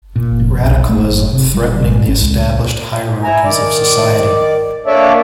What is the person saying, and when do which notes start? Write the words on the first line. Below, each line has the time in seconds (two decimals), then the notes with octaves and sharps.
Radicalism threatening the established hierarchies of society.
0.16 A#2
0.40 F1
0.64 B1
0.89 A3
1.10 F#1
1.33 C3
1.54 G3
1.82 G#1
2.09 C#4
2.21 C#2
3.23 E4 G#5 A#5
3.44 D#3 D5
4.86 A#3 D4 A4 C#5 D5 E5